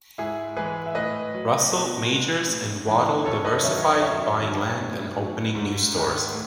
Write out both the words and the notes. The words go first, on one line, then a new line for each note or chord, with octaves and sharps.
Russell, Majors, and Waddell diversified, buying land and opening new stores.
G#2 E4 G#4
E3 G#3 G#4 B4
E5
A2 B4 D#5
F#3
B2
G#3
A2
E3 G#3
F#2 A4 C#5
B4 D#5
D#3 F#3 C#5 E5
C#5 E5
F#2 C#5 E5
D#3 F#3
A2
F#3
G#2
D#3 G#3
A2